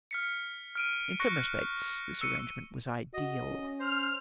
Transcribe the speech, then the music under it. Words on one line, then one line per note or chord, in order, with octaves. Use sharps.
In some respects this arrangement was ideal.
F6 B6 C#7
F6 D7 D#7
C#6 F#6 A#6 C#7
E6 C#7 D#7
F#4 D#5
C#4
C5 F6